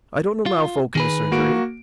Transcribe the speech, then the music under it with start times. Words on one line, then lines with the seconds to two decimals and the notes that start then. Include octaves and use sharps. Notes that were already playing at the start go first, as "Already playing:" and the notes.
I don't allow folk in the surgery.
0.46 F4
0.95 D#3 G#4 B4
1.32 A#3 F#4 D7